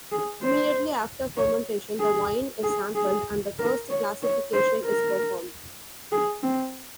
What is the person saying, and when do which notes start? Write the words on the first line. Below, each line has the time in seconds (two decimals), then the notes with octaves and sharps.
Immediately after fermentation, the wine is sampled and the first classification is performed.
0.12 G#4
0.43 C5
1.37 C#5
2.00 G#4
2.63 G#4
2.95 G#4
3.59 A#4
3.90 C#5
4.23 C#5
4.53 C5
4.85 A#4
6.12 G#4
6.43 C4